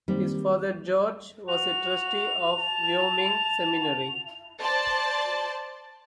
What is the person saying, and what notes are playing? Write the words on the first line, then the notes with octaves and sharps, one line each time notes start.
His father George was a trustee of Wyoming Seminary.
D#3 G3 A#3 C4
F#4 F7
A5
C5 D5 A5